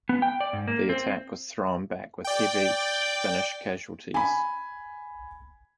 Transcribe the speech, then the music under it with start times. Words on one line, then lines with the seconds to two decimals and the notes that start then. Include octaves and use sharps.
The attack was thrown back with heavy Finnish casualties.
0.09 B3
0.22 G5
0.41 D5
0.53 G#2
0.68 A#3
0.89 C4
2.24 D5 G5
4.14 G#5 B5